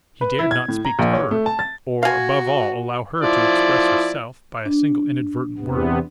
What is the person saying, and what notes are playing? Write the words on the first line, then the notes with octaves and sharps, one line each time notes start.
He dared not speak to her, or, above all, allow her to expose herself by a single inadvertent word.
B4
E4
G#6
A2
A#5
A#1
C#5
A3
A5
A6
F#4 F5 G#5
F3 E4 D5
D4
E2 C3 B3